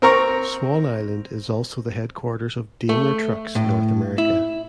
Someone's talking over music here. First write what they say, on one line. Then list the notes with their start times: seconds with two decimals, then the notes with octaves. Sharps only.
Swan Island is also the headquarters of Daimler Trucks North America.
0.02 C4 A#4 A#5 C#6
2.89 A3
3.55 A2
4.18 E4